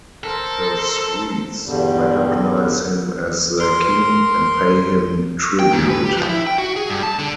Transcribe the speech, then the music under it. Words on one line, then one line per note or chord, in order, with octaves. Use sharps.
The Swedes recognize him as their king, and pay him tribute.
A4 A#4 C5
E2 G2 B2 D3 G3
A#4 C6
G5
G#2
B4
G4
F3
E4
G5
F#4
G#4
G2
A5
D3